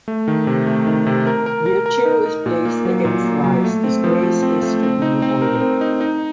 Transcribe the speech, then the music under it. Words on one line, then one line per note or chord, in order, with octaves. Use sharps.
"Virtue" is placed against "Vice", "Disgrace" is to be avoided.
A3
D#3
C3
A3
D#3
C3
A#4
A#4
A#4
A#4
D#4
D#4
A#2
A#3
F#3
A#2
A#3
F#3
A3
C4
F3
F3
C4
A3
C4
D#4
C4
A#4
C4
D#4
D#4